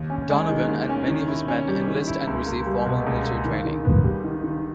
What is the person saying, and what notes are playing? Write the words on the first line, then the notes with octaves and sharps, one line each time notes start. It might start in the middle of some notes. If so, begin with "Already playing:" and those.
Donovan and many of his men enlist and receive formal military training.
Already playing: D#2
C#4
G#3
D#3
D#2
C#4
D#3
E4
C#4
G3
D#3
E4
C#2
A#3
G3
B2
C#2
A#3
D#3
D#3
B3
G3
D#3
D#3